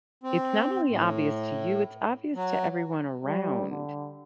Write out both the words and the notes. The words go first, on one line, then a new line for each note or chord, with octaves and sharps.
it's not only obvious to you, it's obvious to everyone around
C4
A2
F#3
G3
D3